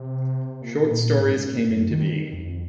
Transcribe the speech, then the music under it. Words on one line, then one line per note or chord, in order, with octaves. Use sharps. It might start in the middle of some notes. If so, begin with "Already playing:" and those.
Short stories came into being.
Already playing: C3
A#2
A#2
G#2
G#2
A#2
F#2
D#3
D#3
F2